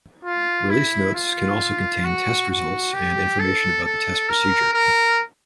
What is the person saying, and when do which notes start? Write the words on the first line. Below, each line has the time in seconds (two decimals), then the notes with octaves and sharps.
Release notes can also contain test results and information about the test procedure.
0.25 F4
0.70 E4
1.14 F4
2.05 F#4
2.50 F#4
2.93 G4
3.39 A4
3.84 A4
4.29 A#4
4.73 A#4